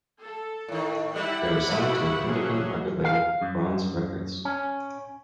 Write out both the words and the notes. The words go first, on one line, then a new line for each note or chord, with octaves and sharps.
They were signed to an independent record label, Bronze Records.
A4
A2 D#3
G3 E4 F#5
F3 G3 A3
F#3 C#4 G#4
F5
F#2
C#4